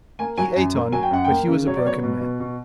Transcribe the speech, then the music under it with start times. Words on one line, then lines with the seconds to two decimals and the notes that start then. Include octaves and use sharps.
He ate on, but he was a broken man.
0.19 A#3 G#5
0.38 F#3 G#5
0.56 F#2 G#5
0.74 A#3
0.92 F#3 G#5
1.03 G5
1.11 F#2 F#5
1.25 A#3 G5
1.47 C#3
1.66 F#3 C#5
1.76 D5
1.85 B3 C#5
2.03 B2
2.21 B2
2.40 B2